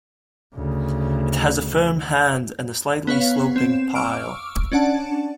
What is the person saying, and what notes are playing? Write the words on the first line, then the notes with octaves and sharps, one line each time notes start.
It has a firm hand and a slightly sloping pile.
D2 C#3
B3 B4 C#5 F5
C4 E7
C#6 D6 E6 F6 D7
C#4 D4 D5 F#5 A5